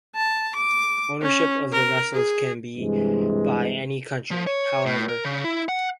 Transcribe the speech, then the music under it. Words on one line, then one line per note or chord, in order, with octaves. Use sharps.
Ownership of the vessels can be by any country, however.
A5
D6
C#4
A#4
G#4
G2 C3 E3 G#3
F3
C#5
A2
A#4
C#3
E4
F#5